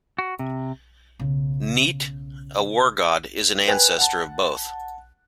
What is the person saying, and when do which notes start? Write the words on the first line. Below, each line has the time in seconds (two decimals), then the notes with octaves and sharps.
Neit, a war god, is an ancestor of both.
0.18 F#4
0.39 C3
1.20 B1 C#3
3.67 B4 G5 G#5 F#6
3.98 F#5 A5